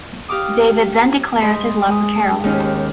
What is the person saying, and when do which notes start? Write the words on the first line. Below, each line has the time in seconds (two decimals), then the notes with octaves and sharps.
David then declares his love for Carol.
0.28 G4 F5 D6 D#6
1.40 G#2 D#5 B5 C6
1.88 G#3 D#5
2.44 D#2 G#2 D#3 C#4 D#4